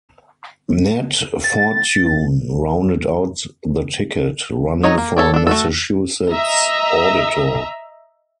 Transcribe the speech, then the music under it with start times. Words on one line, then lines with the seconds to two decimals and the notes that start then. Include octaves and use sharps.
Nat Fortune rounded out the ticket, running for Massachusetts Auditor.
1.44 A6
4.83 F#3 D#4 C#5 D#5
4.98 A#3
5.17 A4 C#5 D5
5.34 D4 A4
5.47 A3 F#4 A4
6.31 D#5 E5 A#5